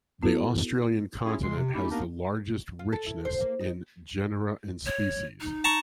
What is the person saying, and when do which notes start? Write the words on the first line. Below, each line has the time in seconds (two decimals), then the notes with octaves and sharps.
The Australian Continent has the largest richness in genera and species.
0.22 B3 E4 F#4 A4 B4
1.24 C#4 E4 F4 G#4
1.42 C#3 G#3 C6
1.56 C3
1.73 A3 C#4 D#4 E4 G4
1.90 A#3 B3 D4 D#4 G4 A#4
2.79 F4
2.93 A4
3.06 E4
3.25 C5
3.41 A#3
3.61 D#4
4.86 C#5
5.41 D#4
5.64 A5 A#5 C#6